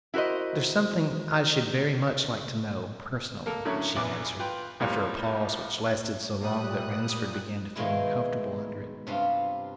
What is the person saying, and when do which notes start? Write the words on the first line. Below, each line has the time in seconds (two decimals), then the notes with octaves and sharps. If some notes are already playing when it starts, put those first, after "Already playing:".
"There's something I should very much like to know--personally," she answered, after a pause which lasted so long that Ransford began to feel uncomfortable under it.
0.14 E4 F#4 A#4 C5 D#5
3.46 A#3 A4 A#4
3.65 A2 D3 F#3 C#4 E4
3.96 A#1 E2 B4 D6
4.39 F4 B4 G5
4.80 F2 A2 G3 A#3 F4 F6
6.40 A#2 G3 D#6 F#6
7.75 G#2 B2 D#3 G#3 A#3 E4
9.07 G2 C3 C#4 F4 F5